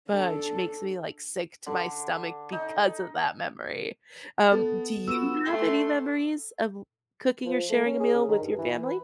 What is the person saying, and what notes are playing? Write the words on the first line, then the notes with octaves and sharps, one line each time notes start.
"fudge" makes me, like, sick to my stomach because of that memory. Um, do you have any memories of cooking or sharing a meal with your family?
D4 A4
D3
D#4
B3 A4
B3 F4 F#4 B5 E6 E7
A3 A4 G5 C6
F3
A3
C#4
G#4
C#3
D#3
G2
E3
B4